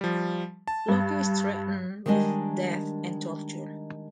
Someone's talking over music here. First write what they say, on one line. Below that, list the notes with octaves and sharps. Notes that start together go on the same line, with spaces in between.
Loki is threatened with death and torture.
F3 G3
A5
G2
D#3 G3 G#3 D4 D#5 G#5